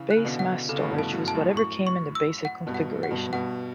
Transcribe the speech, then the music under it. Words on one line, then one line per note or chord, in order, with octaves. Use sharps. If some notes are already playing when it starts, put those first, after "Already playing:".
Base mass storage was whatever came in the basic configuration.
Already playing: C#3 E3
F#6
C#3
B2 D3
F#5
C#3 A4
D3
A2 C#3
G2 B2
A5
F#2 A2
A5
F#2 A2
C#6
C#6
E6
F#5
G2 B2
F#5
F#5
G2 B2
G2 B2 F#5